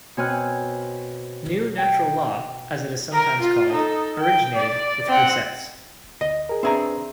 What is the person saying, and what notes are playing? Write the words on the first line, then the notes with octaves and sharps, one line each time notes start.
"New Natural Law" as it is sometimes called, originated with Grisez.
B2 C4 C#5 G#5 F6 F#6
G5
A#4
F4
D#4 A4
G5
D5
C4 F#5
D2 D#5
G#4 A#4
C4 D4 G#4 B4 E5 A#5